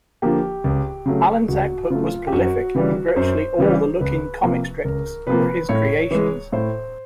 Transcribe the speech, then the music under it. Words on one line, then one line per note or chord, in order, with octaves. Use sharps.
Allan's output was prolific, and virtually all the Look-In comic strips were his creations.
D3 F3 A#3 G4
C#2
C#3 F#3 A3
C#2 F#4
C#3 F#3 A3 F4
G4
F#2 F#4
C#3 E3 G3
F#2 C5
C#3 E3 G3
C#2 B4
C3 F3 A#3
C#2 A#4
C3 F3 A#3 B4
A2 C#5
E3 G#3
A2 C5